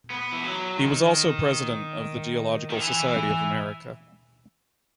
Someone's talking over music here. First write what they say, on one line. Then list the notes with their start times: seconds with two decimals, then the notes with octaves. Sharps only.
He was also President of the Geological Society of America.
0.10 B3
0.32 E3
0.44 F#3
0.78 D#3
2.70 D#3
2.79 E3